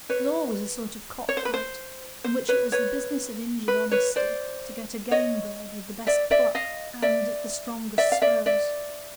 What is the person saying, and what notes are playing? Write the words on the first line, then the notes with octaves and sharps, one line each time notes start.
Law was a sort of cock-fight, in which it was the business of injured honesty to get a game bird with the best pluck and the strongest spurs.
B4 C#5
C#5
C5
B4
C5
C5
B4 C#5
B4 C#5
B4
B4 C#5
C5 D5
C#5 D#5
D5 E5
D5 E5
D#5 F5
D5 E5
D5 E5
F5
D5 E5
D5 E5